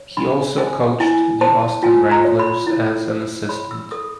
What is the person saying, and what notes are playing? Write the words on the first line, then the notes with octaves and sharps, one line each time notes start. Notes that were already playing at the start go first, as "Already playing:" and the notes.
He also coached the Austin Wranglers as an assistant.
Already playing: C#5
D4 B5
C5 G#5
E4 G#5
C5 A5
F4 G#5
A#5
C#5
B5
E4
C5
C#5 B5
E6
A4 D#6